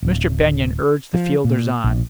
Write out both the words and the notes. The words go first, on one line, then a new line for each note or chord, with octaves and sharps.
Mr. Benyon urged the fielders on.
D1
F3
A#2
A#1